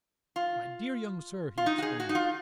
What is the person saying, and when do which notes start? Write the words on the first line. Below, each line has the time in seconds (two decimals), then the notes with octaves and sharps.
"My dear young sir!" he exclaimed.
0.36 F4
1.58 F4
1.66 D#4
1.78 F#4
1.82 G#4
2.00 F#4
2.09 D#4
2.15 F4